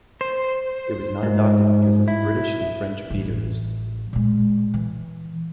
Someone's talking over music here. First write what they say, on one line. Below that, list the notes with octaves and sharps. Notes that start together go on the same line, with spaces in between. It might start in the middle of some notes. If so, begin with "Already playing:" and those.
It was not adopted because of British and French vetoes.
C5
G#2
E4
A1 E3
A#2 G#3
E3